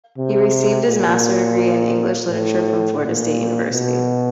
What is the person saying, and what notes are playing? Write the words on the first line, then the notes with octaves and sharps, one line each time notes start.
He received his master's degree in English Literature from Florida State University.
C3
A#2
A2
A#2
B2